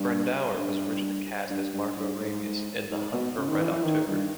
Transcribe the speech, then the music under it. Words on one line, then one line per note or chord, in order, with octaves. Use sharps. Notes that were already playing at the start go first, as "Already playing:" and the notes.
Brandauer was originally cast as Marko Ramius in "The Hunt for Red October".
Already playing: G2
G2
G2
G2
G2
G#2
G#2
B2
C#3
D#3
E3
E3
D#3
G2